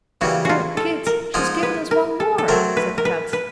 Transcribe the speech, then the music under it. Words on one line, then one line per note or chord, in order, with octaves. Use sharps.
"O Kit, she's given us one more!" said Kat.
C#3 E3 G3 A#3 F#4
F4 F#4
A4
A#4
G#2 F3 A#3 D#4 G#4
B4
A#4
A4
A4
F#3 A3 C4 A#4
B4
A#4
B4
B4